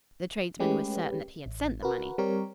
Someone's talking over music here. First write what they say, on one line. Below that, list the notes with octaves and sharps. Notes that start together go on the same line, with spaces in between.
The tradesman was certain that he had sent the money.
G#3 A3 C#4 G4 B4
A1
F#4 A#4 B4
G3 C4 G4 A#4 C#5